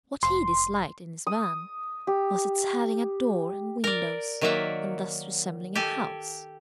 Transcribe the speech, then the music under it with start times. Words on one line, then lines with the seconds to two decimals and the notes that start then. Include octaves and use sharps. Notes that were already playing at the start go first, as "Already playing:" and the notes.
What he disliked in his van was its having a door and windows, and thus resembling a house.
0.23 F1 C6
1.27 D#6
2.07 G4
3.84 A#4 D5
4.41 D#3 F#3 A#3 D5 E5 F#5
5.75 G4 A4 G#5